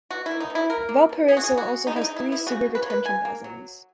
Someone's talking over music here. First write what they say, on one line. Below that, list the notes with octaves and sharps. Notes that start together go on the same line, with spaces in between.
Valparaiso also has three sewer retention basins.
B2 F#4
E4
A#3
D#4
B2
E4
A#3 A#4
A#3
B2
B3 G#4
F#4
C#3 G#4
F#4
G#3
C#3 D#4
E4
D#4
C#3
E4
B3
E4
C#3 F#4
C#3
B4
C#5
A#3 B4
C#3 G#5
A#3
F#3